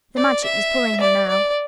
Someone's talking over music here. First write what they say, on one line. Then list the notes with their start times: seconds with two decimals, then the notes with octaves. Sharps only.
The Magic was pulling him now.
0.16 D5
0.44 E5
1.00 D5
1.28 D5